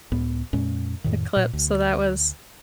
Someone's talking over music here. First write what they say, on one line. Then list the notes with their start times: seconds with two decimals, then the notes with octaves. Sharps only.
eclipse, so that was
0.12 C#2 A2 B3
0.53 F2 A#2 G#3 C#4
1.04 F2 A2 D#3
1.36 A#2
1.53 D2